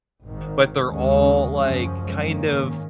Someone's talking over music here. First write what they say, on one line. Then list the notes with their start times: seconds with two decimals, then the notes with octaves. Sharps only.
but they're all, like, kind of
0.24 G#1 G#2 D#3
0.88 D#2 C#3 G#3 C#4
1.52 F#2 F3 G#3 C#4
2.16 G#2 D#3 A#3 C#4